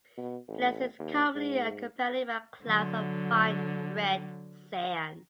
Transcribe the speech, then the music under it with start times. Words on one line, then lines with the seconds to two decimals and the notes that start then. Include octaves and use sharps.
The Leste is commonly accompanied by clouds of fine red sand.
0.17 B2
0.48 A1
0.99 D#2
1.35 G#2
2.65 D3 F#3